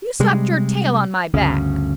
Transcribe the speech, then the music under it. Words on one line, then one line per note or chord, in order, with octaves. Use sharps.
"You slapped your tail on my back!"
C3 G3 G#3
G1 D2 C#3